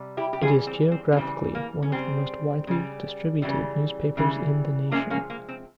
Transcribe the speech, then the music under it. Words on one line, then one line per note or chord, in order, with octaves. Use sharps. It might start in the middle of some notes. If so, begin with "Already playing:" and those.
It is geographically one of the most widely distributed newspapers in the nation.
Already playing: C3 G3
E4 G4
G4
C#3 E3 G3 F4 G#4
C4
C4
C#4
C#3 E3 G3 C4
A#3
C#4
C#3 G3 C4
C#3 G3
C#3 E3 G3
C#3 E3 G3
C3 F3 G#3 A#3 C#4
A#3 C#4
A#3
C4